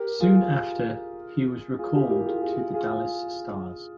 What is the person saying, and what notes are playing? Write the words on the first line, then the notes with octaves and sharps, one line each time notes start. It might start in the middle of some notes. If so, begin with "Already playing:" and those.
Soon after, he was recalled to the Dallas Stars.
Already playing: G4 A#4
F4 G#4
F4 G#4
E4 G4
G4 A#4
F4 G#4
F4 G#4
F4 G#4